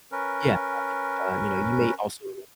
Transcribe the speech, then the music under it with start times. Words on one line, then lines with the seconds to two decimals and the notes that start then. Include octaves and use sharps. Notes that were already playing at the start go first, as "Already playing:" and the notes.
Yeah, I think, uh, you know, you may also lean
0.12 C#4 A#4 B4